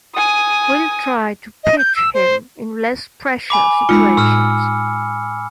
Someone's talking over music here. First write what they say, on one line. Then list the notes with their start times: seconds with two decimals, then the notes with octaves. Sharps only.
We'll try to pitch him in less pressure situations.
0.15 G#5 D#6
1.64 D#5
1.78 G6
1.96 E6
2.14 C5
3.50 G#5 B5 D6
3.89 G#3 D#4 F4 B5 E6 C#7
4.17 A2 E6 F6